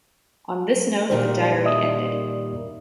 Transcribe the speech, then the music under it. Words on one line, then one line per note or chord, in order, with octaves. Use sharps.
On this note the diary ended.
A#2 D#3 G3 C5
D#5 E5 D#6